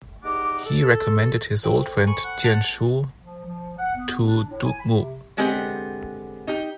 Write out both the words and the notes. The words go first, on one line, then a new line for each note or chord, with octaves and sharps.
He recommended his old friend Jian Shu to Duke Mu.
E2 D#4 G4 D#5 F#5 D6
A4
A4 C5 G5
G#5 B5 C#6
F#5
A5 A6 F7
F3
F3
F#5
B3
D4
A2
G#5
B5
C3
D3 G#3 B3 C4 G4
D#4 G4